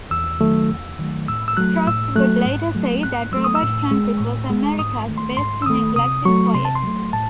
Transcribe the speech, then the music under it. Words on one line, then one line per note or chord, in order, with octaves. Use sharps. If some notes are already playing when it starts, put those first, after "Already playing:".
Frost would later say that Robert Francis was America's best neglected poet.
E2 E6
D#3 F#3 A3
E2
D#3 F#3 A3
A2 E6
E6
F#3 A3 F#6
A2 E6
F#3 A3 F#6
G#2
F#3 A3
G#2 F#6
F#3 A3 E6
D#6
E6
A2
G#3
A2
G#3
G#2 D#6
D#3 A3
C6
G#2 C6
E6
D#3 A3 D#6
C3 D#6
F#3 A3 C#6
C3 C6
A5
C6
F#3 A3
A2 A5